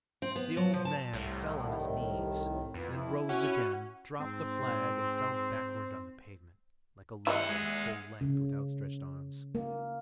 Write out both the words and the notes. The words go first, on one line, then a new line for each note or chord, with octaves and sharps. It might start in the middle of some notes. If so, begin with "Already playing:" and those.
The old man fell on his knees, then rose again, dropped the flag and fell backwards on the pavement, like a log, at full length, with outstretched arms.
C4
B3
F#3
F3
A5
C2 A2
D#3
F2 B3
E4
C#4 F#4
G#2 C4
E4 G4 D#5 E5 F#5
G#3
C#3
A#3